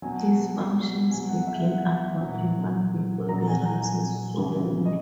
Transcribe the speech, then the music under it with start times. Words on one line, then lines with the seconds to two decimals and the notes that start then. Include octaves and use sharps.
His functions begin about a month before the rice is sown.
0.02 B2 F#3 G#5
1.11 B2 F#3 G#5
1.29 F#5
1.47 E5
1.66 F#5
1.84 E5
2.03 E5
2.20 A#2 F#3 F#5
3.29 A#2 F#3 A#5
3.47 G#5
3.65 A#5
3.83 G#5
4.38 C#3 E3
4.85 D#5